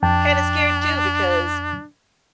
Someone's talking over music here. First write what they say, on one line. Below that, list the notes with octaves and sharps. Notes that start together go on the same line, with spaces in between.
kind of scared too because
F2 D4 G5 A5